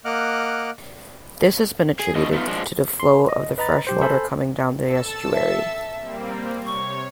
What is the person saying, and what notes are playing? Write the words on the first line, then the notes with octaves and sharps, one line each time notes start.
This has been attributed to the flow of the freshwater coming down the estuary.
A#3 D#5 F#5 D6 F6 F#6
G#4
A2 D3 D#5
A3 B3 D#4 F4
F3 G#3 D4
C6
D#5
B4 D#5 A#5 B5 A6
B1 G4 C5
A4 C5 G#5 B5
A4 A5 E6
E5
G3 A#3 C4
C3 C#5 C#6